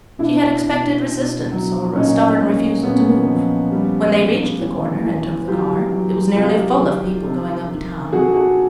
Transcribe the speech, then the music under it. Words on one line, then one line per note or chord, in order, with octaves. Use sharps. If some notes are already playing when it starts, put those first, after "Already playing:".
She had expected resistance or a stubborn refusal to move. When they reached the corner and took the car it was nearly full of people going uptown.
B2 D4 E4
B2
B2
F#3
A#2 C#4 D#4
A#2
A#2 B3 C#4
F3
G3
A2
E3
E3
F#3 F4 G4
F#3
C3 F4 G4
D#3
C3
D#3
C3 F#4 G#4
A4
F#4 G#4